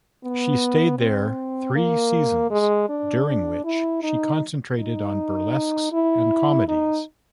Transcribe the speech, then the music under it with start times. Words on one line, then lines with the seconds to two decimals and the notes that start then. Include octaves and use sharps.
She stayed there three seasons, during which she concentrated on burlesques and comedies.
0.24 B3
0.99 C4
1.75 A#3
2.51 G#3
2.89 D4
3.65 E4
4.03 D#4
4.79 D#4
5.92 E4
6.68 D#4